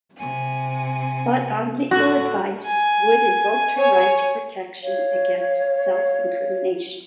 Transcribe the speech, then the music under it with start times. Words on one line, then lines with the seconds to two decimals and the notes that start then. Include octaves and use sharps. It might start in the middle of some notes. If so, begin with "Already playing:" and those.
But, on legal advice, Wood invoked her right to protection against self-incrimination.
0.17 C3 G#5
1.91 A2 D3 F#4
2.66 G#5
3.77 C#5 G#5
4.83 C#5 F5